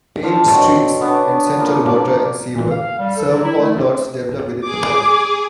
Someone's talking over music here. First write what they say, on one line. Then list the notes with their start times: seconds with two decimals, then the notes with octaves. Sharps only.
Paved streets and central water and sewer serve all lots developed within the plan.
0.23 D4 A4 C5 F5
0.50 B2 C#5 G5 C6
1.01 B3 C#4 D4
1.59 F3 A#3
1.85 D5
2.53 E3
2.70 F5
2.98 G3
3.16 A4
3.32 F#3
3.43 E4
3.59 A3
4.64 G#4 D6